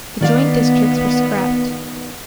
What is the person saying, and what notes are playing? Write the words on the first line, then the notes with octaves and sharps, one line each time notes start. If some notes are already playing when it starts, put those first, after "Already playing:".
The joint districts were scrapped.
D#3 B3 D5 F5